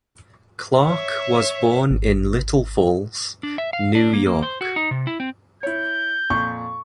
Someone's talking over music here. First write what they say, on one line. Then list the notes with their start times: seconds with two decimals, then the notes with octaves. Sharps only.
Clarke was born in Little Falls, New York.
0.83 C#5 E5
1.91 G#1
3.43 D4
3.58 E5
3.73 F5
3.95 D4
4.13 A#3
4.26 A#3
4.42 C5
4.61 F#4
4.76 D#4
4.91 C3
5.07 E4
5.20 C4
5.63 E4 C#5 G6
6.30 F2 A#2 C#6